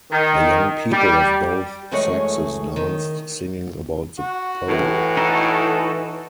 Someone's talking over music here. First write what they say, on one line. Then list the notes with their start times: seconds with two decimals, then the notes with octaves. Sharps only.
The young people of both sexes danced singing about the pole.
0.12 D#3
0.92 G3
1.91 F#2 E3 G#3 A3 G#4 C#5
2.76 D#3
4.19 F#4
4.68 A2 E3
5.17 D#4 A4